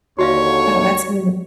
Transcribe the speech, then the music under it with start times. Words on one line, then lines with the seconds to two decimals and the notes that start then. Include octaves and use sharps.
Oh, that's neat
0.19 D#2 D3 F#4 C#5 E5 F5